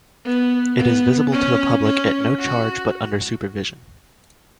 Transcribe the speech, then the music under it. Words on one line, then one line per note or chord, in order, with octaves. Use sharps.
It is visible to the public at no charge but under supervision.
B3
B3
C#4
C#4
F#4